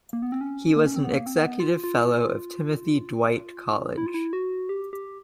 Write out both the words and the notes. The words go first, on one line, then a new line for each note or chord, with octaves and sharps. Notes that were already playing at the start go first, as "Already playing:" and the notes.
He was an executive fellow of Timothy Dwight College.
A#3
B3
C4
C#4
A#3
C#4
C4
B3
A#3
C4
B3
F4
F4
E4
F4
E4
F#4
G4
G4